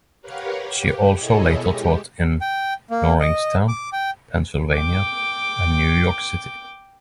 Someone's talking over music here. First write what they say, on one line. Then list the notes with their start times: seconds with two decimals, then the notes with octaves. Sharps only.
She also later taught in Norristown, Pennsylvania, and New York City.
0.21 G4 A#4 B4 C#5 F5 F#5
0.65 G4
1.15 B2 E4 G#4 A4 C#5 D#5
1.59 G#3 G4
2.41 G5
2.90 A#3
3.20 D#5
3.68 D6
3.93 G5
4.74 G5 D6